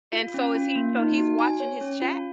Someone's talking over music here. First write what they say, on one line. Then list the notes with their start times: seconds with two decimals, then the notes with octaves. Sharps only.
And so is he so, he's watching his chat
0.13 F4
0.34 C#4
0.55 F4
0.76 A#3
0.97 D#4
1.18 F#4
1.39 G#5
1.60 C#5
1.81 C#4
2.02 F4